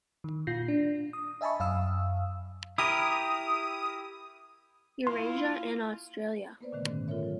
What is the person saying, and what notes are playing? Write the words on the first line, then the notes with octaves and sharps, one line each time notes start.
Eurasia and Australia.
D#3
A#2 F4 G6 A#6 C7
D4
D#6
D#5 E5 G#5 A5 B5 C#6
F#2 F5 D#6 E6
E4 G4 A#4 D#6
A#3 E4 F4 C6
A#3 B3 B4 C5 D5
A#2 D3 D#3 A3
G#2 D#3 C#4
F4 A4 A#4 C#5 E5
F#3